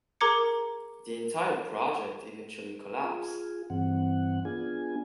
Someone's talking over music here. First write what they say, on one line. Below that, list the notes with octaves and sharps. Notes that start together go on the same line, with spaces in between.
The entire project eventually collapsed.
G#4 A#4 A#5 D6 G#6 C#7
F4 G#4
G2 E3 C4 F#5
B3 D4 F4 G#4 G#5